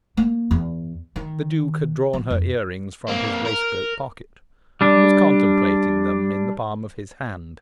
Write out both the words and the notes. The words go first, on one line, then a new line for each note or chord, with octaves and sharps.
The Duke had drawn her ear-rings from his waistcoat pocket, and was contemplating them in the palm of his hand.
A#3
E2
D#3
F3
F2
A#3 C4
A#4
G3 D4